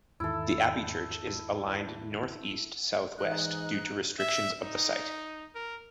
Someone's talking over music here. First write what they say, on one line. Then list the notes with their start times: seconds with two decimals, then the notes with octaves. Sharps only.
The abbey church is aligned northeast-southwest, due to restrictions of the site.
0.20 E2 G#2 D#3 E4 A4
3.18 G#2 E3 D#4 D#5 F#6
4.19 E5
4.62 D#4
5.55 A#4